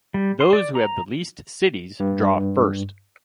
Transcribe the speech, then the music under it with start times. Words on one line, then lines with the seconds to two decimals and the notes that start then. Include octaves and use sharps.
Those who have the least cities draw first.
0.14 G3
0.40 C6
0.53 D5
0.75 A#5
2.00 G2